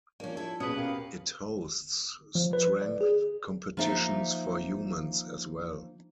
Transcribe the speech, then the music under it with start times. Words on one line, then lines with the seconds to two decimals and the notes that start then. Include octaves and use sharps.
It hosts strength competitions for humans as well.
0.20 F3 A#3 C#4 D4
0.37 E4 A4
0.60 A#1 D#2 B2 C#4 G#4 B4 D#6
0.76 G4 A#4 F5
2.35 F3
2.53 B4
2.82 D5
3.01 G#4
3.77 F3 A#3 D#4 E5 F5